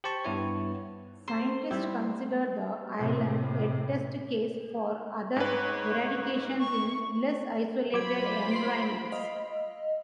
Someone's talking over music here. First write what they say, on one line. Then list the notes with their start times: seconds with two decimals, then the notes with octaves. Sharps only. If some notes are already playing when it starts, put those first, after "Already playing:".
Scientists considered the island a test case for other eradications in less isolated environments.
0.04 G4 C5 A5 C#6
0.24 G2 B3 E4 C#5
1.28 C5
1.71 G3 E4 G4
2.99 A2 C3
5.36 G#2 B4 C#5
6.60 C#6
7.94 F#3 F4 C5 B5 D6 G#6
8.51 C6 C7 D7
9.12 D#5 F5